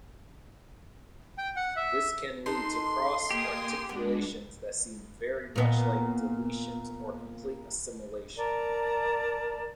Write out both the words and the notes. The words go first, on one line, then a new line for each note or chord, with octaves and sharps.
This can lead to cross-articulations that seem very much like deletions or complete assimilation.
G5
F#5
E5
D#4 A4 B4 C6
A#3 G4 G#5 D#6
G#3 B3 D4
A#2 B3
A#4 D5 A5 A#5